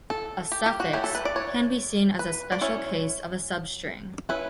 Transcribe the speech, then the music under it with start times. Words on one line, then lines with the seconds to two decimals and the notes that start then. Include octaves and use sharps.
A suffix can be seen as a special case of a substring.
0.10 A4
0.52 G4
0.66 G4
0.80 F#4
0.93 F#3 A3 E4 G4
1.04 A4
1.15 B4
1.25 D5
1.36 C#5
2.19 B4
2.52 D5
2.61 F#3 C#4 E4 C#5
4.29 F#3 C#4 E4 B4